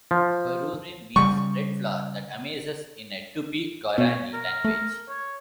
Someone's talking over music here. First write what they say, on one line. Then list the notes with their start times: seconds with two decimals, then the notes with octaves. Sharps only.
"Barueri" means "Red flower that amazes" in a Tupi-Guarani language.
0.11 F3
1.16 C#3 G3 C#6
3.98 B2 C#5
4.33 A#4
4.65 A3
5.09 C#5